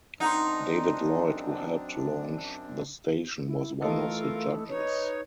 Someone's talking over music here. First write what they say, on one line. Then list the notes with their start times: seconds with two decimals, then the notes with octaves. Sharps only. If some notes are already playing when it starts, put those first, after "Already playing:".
David Lloyd, who helped launch the station was one of the judges.
0.20 F#2 C4 D4 D#4 F#5 A#5 C6
3.46 E4
3.81 E3 A3 F4 A4 A#4 D#5 F5
4.70 D#4 B4 C#5